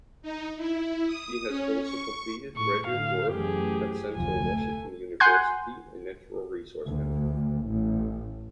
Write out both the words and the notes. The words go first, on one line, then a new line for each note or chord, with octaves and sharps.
She has also completed graduate work at Central Washington University in natural resource management.
D#4
E4
D#6
C#4
C#6
A2 C#6
A2 D3 F5
F#2 E3 A3 G4 G#4
F1 D2 F3 G#5
A3
F#5 G#5 C6 F#6 G6
D2
A1